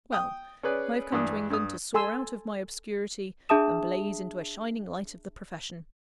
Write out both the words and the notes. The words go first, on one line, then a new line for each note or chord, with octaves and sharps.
Well, I have come to England to soar out of my obscurity and blaze into a shining light of the profession.
G5 D#6
C#4 G#4 B4 D5
G2 E3 D4 D#6
G2 D#6
A4 G#5 C6 E6
D4 G#4 E5 A5 D#6 E7